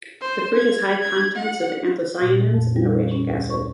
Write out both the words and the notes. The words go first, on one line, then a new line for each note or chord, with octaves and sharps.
The fruit has high contents of anthocyanins and ellagic acid.
C5
G#6
G#6
F#5
A#2
F2
G3
C#4
D2
C#6